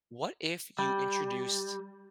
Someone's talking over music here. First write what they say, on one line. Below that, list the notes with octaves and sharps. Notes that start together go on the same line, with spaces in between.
what if you introduced
G3